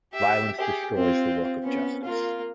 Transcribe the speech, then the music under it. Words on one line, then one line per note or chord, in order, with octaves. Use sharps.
Violence destroys the work of justice.
G4 E5
G4 G#4
C4 F4
B3 C#4
A#3 F4